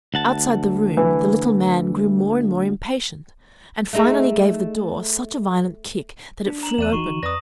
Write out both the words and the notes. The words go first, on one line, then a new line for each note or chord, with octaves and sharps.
Outside the room, the Little Man grew more and more impatient, and finally gave the door such a violent kick that it flew open.
D2 F#5 A5
E3
A3 D#4 G#4
D4
A#5 F#7
E2 D5 F#6 D#7 E7
E3 D#4 F#4 C#6
F2 B4 D5 D#6 A#6